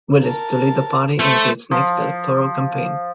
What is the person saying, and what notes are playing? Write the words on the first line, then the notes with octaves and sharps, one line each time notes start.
Willis to lead the party into its next electoral campaign.
A#4 A5
A3 C5 A5
F3